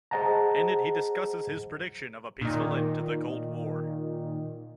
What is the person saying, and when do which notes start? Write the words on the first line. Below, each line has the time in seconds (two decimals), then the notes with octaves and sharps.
In it he discusses his prediction of a peaceful end to the cold war.
0.11 G#4 C5 D#5 F#5 A5 A#5
2.41 A#2 D#3